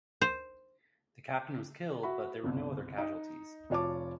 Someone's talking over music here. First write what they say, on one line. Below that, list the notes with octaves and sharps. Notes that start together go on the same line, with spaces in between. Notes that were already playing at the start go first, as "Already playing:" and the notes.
The captain was killed but there were no other casualties.
C5
F#4 E5 B5
G1 C2
D#4
F1 F4 C#5 A5 D6